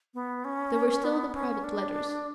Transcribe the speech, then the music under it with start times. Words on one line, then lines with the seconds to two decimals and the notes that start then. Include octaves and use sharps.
There were still the private letters.
0.14 B3
0.45 C#4
1.04 B3
1.34 C#4
1.64 D4